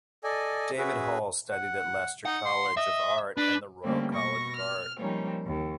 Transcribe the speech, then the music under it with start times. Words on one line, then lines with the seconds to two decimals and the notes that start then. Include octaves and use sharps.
David Hall studied at Leicester College of Art and the Royal College of Art.
0.24 A4 D5 D#5 G#5
0.78 C#4 F#4 G#4 B4 E5
1.51 F#5
2.25 D#4 F#5
2.45 C6
2.77 D#5 E5
3.37 D4 B4
3.84 D3 G3 A3 A#3 C4 C#4
4.14 B2 C#6 A#6
4.56 F6
4.97 F3 G3 A#3 C4 C#4 D#4
5.45 D#2